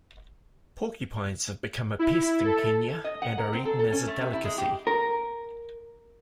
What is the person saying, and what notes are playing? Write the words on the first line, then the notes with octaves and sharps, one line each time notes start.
Porcupines have become a pest in Kenya and are eaten as a delicacy.
E4
A4
D#5
F#5
A#4
C4
A4
A4
C#4
A3
C3
E4
G#3
G4
A#4